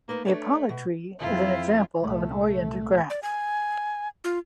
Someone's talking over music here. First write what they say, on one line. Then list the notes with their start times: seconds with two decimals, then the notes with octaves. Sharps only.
A polytree is an example of an oriented graph.
0.09 A3 A#3 D#4 B4
0.25 A3 D4 C#5 D5
0.69 B2
1.20 F2 E4 F4
2.02 C2 A#2 A3
3.10 D5
3.23 G#5
4.24 F4